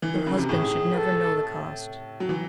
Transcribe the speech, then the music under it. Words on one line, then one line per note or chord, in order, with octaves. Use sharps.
Her husband should never know the cost.
E3
D#3
C#3
C3
A2 G#4
B4
A4
F#3
E3